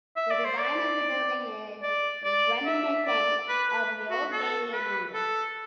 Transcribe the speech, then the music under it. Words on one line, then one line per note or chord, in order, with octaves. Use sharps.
The design of the building is reminiscent of the Old Bailey in London.
E5
D5
C5
D5
D5
D5
E5
D5
B4
B4
F#4
A4
B4
A4